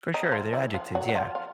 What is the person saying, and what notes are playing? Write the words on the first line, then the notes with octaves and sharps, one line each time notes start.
For sure, they're adjectives, yeah.
D#4
E4
F3 F4
E3 E4
F3 F4
F#3 F#4
F#4
F3 F4
F4